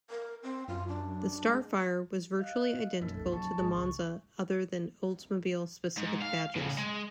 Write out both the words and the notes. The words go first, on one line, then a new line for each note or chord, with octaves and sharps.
The Starfire was virtually identical to the Monza other than Oldsmobile specific badges.
A#4
C4
F#2 F4
D4
G#3
D#5 F5 F#6
D#1 F#2 A#3 D#4 A#4
G1 C#2 A4
E2 C#3 F#3 A5 C#6 A6
G#1 D#3 G#3
C#2 C#6
G#2
F5
A2 C#3
G#3